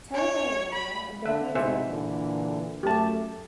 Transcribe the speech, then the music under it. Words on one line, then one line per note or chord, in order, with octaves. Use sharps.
Tell away, Olivia, and don't be afraid.
C#5
B5
D3 E5
C2 G#2 B2 C5 E5 G#5
A#2 D3 E3
F#2 A3 G4 A5